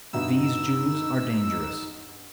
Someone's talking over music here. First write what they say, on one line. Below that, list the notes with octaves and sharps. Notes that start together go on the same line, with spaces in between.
'These Jews are dangerous.
G2 B2 D#4 E5 E6